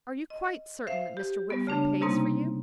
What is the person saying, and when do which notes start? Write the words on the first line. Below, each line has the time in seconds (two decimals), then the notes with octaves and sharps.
"Are you quite certain that Mr. Whitford pays for you."
0.30 D#5
0.87 C5 E5 F5
1.17 G4
1.50 G3 B3
1.67 C#3 A3 D4
2.01 C3 G3 A#3 C4 D#4